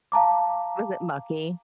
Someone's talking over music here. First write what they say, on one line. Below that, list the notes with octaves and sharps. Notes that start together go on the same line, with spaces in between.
Was it mucky?
F5 A5 A#5 D6